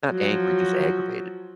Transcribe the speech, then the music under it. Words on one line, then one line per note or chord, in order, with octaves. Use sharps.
not angry, just aggravated.
F3 F#3